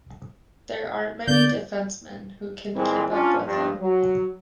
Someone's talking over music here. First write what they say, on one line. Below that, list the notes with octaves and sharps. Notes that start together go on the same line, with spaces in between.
There aren't many defensemen who can keep up with him.
D3 B3 D5 G6
A#2 E3 G#3 C4
C#4 D4 F4
G2 F3 D4
F#3